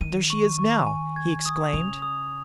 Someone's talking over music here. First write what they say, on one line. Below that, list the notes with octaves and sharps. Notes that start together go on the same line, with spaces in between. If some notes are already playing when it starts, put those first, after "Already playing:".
"There she is now!" he exclaimed.
D#3 D#7
C#6
C#6
G#5
G#6
D#6
C#3 F7
D#6